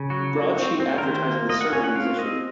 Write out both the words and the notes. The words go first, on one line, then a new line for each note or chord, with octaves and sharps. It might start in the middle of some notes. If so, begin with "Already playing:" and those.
A broadsheet advertising the sermon was issued.
Already playing: C#3
F#3 F#4
A#3
C4
C4
A#4
D#3 C5
A#3
A#3 D#5
F#5
C#4 G#5
F#5
C4 F5
C4 D#5